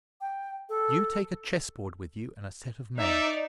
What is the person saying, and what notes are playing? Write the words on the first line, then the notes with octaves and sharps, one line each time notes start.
You take a chessboard with you and a set of men.
G5
A4
D#4 D5 E5